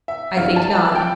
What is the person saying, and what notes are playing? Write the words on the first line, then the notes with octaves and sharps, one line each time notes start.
"I think not."
E5
G2 E3 G3 F5
A5
A5
F3 G5